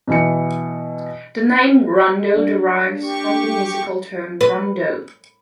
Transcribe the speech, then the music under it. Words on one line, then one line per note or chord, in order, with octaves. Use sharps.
The name Rondo derives from the musical term Rondo.
B2 E3 C#7
G3 A#3 D4
G4 C#6
B4